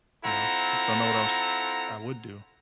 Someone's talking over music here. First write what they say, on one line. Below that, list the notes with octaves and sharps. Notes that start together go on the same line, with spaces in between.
you know don't know what else I would do.
C4 E4 F4 A4 F#5 A#5